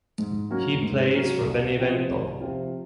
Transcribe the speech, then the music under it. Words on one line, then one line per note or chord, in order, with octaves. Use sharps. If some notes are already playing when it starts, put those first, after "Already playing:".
He plays for Benevento.
G#2
F#3 A#3 C#4 F#4
G#2
F#3 A#3 C#4 F#4
C2
C3 F3 C4 F4
C2
C3 F3 C4 F4